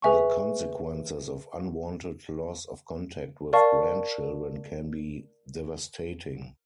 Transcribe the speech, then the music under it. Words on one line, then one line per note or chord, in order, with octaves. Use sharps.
The consequences of unwanted loss of contact with grandchildren can be devastating.
G#4 B4 E5 G#5 C#6
A#4 D5 F5 A5 C#6